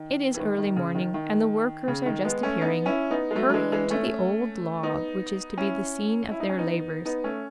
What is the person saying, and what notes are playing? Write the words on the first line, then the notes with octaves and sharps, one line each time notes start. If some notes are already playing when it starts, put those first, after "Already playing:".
It is early morning, and the workers are just appearing, hurrying to the old log which is to be the scene of their labors.
Already playing: D#3
E3
D#3
D#3
C#3
D#3
D#3
C#3
D#3
G#3 B3
A3 C#4
B3 D#4
C#4 E4
B3 D#4
G#3
F#3 A3
F#3
E3 G#3
E3 G#3
A3 C#4
B3 D#4
C#4 E4
E4
D#4
C#4
B3 D#4
B3 D#4
A3 C#4